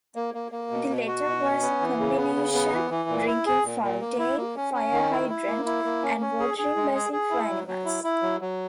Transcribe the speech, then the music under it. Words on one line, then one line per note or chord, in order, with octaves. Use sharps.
The latter was a combination drinking fountain, fire hydrant, and watering basin for animals.
A#3
A#3
A#3
B2
B2
F#4
B2
C#4
B3
E3
C#3
B3
C#3
B3
E3
E3
A#2
E4
G#4
A#2
A#2
A#3
E4
A#3
C#4
C#4
D#3
E4
E4
A#3
E4
A#3
C#4
C#4
G#4
G#4
G#3
G#4
G#4
E4
F#3
F#3
E4
E4
F#3
F#3